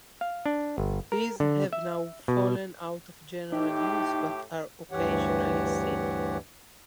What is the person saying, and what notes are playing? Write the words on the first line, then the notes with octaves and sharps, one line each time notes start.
These have now fallen out of general use, but are occasionally seen.
F5
D4
G1
A#4
D3
E5
B2
A2 D#4 G4
D2 G2 E3 G4 C#5 F#5